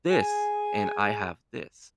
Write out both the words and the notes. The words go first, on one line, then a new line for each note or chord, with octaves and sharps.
this, and I have this.
G#4 G#5